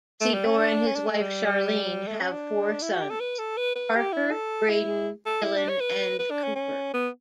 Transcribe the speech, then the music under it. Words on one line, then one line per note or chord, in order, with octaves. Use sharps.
Sydor and his wife Sharlene have four sons: Parker, Braden, Dylan and Cooper.
A3
G3
C#4
D4
C#4
D4
A3
G3
A3
C#4
D4
E4
F#4
G4
A4
B4
A4
B4
B4
G4
E4
A4
E4
A4
E4
D4
C#5
B4
B4
D4
C#4
C#4
B3